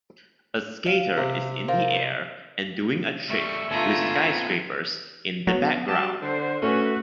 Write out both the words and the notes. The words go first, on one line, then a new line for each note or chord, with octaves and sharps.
A skater is in the air and doing a trick with skyscrapers in the background.
F5
C3
F4 A#4 C5
G3 A3 E5 C#6
D3 A3 B3 F4 G#5 A#5
B3 C4
F#3 B3
G3 F#4 G4 A5
D3 C5
A3 C#4 F#4 B4